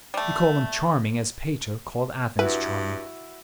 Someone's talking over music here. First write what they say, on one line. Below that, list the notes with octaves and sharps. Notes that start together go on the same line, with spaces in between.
We call him charming as Pater called Athens charming.
G3 A3
G2 E4 F#4 B4